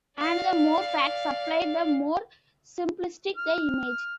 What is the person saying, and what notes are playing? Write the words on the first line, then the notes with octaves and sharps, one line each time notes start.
And the more facts supplied, the more simplistic the image.
D5 F5
F6